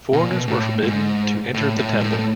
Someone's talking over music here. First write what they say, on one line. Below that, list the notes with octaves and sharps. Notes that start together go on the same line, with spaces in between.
Foreigners were forbidden to enter the temple.
B2
A#2
B2
A2
G#2
A2
A2
G#2
A2
A2